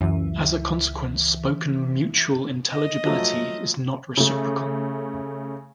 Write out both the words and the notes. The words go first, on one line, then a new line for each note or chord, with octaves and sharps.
As a consequence, spoken mutual intelligibility is not reciprocal.
C#2 F#2 E3 E5
D#5
F3 F#3 A3
C#3 A3